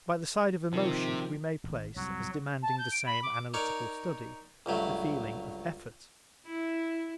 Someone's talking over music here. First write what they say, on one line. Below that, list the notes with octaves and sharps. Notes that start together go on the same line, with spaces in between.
By the side of emotion we may place, as demanding the same analytical study, the feeling of effort.
C3 D#3 F3
G#1
C2 F2 F#3
A5
G6
D7
B5
D6
D#4 A#4 C#5 D5
C#2 G2 F#3 A3
E4